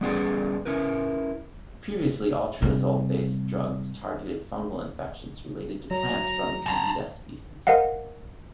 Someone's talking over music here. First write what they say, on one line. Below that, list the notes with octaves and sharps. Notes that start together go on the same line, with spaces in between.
Previously, all triazole based drugs targeted fungal infections related to plants from "Candida" species.
G3 B3 C#4 G#4 B4 D5
C#4 E4 A#4 B4
C3 G3
F#3 A#5
A5 A#5
A#4 C5 D#5 F5 F#5